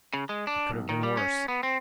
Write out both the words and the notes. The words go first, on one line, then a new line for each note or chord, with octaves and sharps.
It could have been worse.
C#3
G#3
D4
B1
D#3
G3
C#4
B3
C4